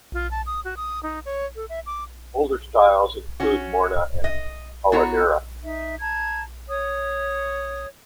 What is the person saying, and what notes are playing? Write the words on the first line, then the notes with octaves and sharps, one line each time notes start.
Older styles include "morna" and "coladeira".
F4
A5
D#6
F#4
D#6
D#4
C#5
A4
E5
D6
C#4 F#4
D#5
B3 E4 F#4 C#5 A#5
D#4 E5
A5 A#5 G#6
C#5 D#6